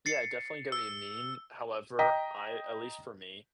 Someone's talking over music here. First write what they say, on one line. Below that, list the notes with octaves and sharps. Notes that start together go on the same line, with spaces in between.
Yeah, definitely get what you mean. However, I at least for me,
A6 C7 C#7
E6
D#5 G5 A#5 B6